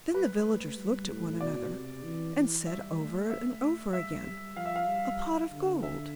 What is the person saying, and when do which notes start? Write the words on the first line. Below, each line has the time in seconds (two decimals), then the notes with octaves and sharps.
Then the villagers looked at one another, and said over and over again, "A pot of gold!"
0.14 G3 B4
0.46 A3
0.77 G3
1.08 A2
1.40 B2 D5
1.72 C3
2.03 E3
2.35 E3
2.66 G3 E5
2.98 A3
3.30 A3 E5
3.93 G3 E5
4.25 G3
4.56 F3 F5
4.65 E5
4.75 F5
4.88 G3
5.51 D3
5.83 E5